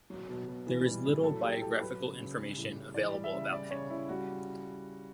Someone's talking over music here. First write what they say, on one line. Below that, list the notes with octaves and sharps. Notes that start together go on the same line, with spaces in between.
There is little biographical information available about him.
F#3
B2
B2
E3
G3
A2
F#3 A4
A2 G4
A2 A4
F#3 B4
C#3
C#3
G3
A2
A2
E3 D5
G3
E5
C#3
G3 D5
C#3 C#5
C#3 E4
G3 F#4